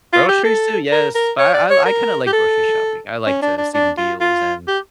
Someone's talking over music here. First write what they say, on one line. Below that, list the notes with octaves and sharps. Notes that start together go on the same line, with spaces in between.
Groceries too, yes, but I I kinda like grocery shopping, I like to see the deals and
F4
G4
A4
A#4
A#4
C#5
D5
C#5
A#4
G4
A4
C#4
D4
D4
D4
F4
F4
G4